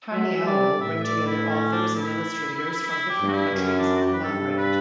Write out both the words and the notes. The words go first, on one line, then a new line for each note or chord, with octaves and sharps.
Tiny Owl bring together authors and illustrators from different countries to collaborate.
F#3 E5
E5
G3 D5
A2 E5
E5
D5
E4
C#4
D4
E4
E4
G4
G2
F#4
E4
F#2 C#4
D4
F#4
G4
B4
G2 A4
A4
B4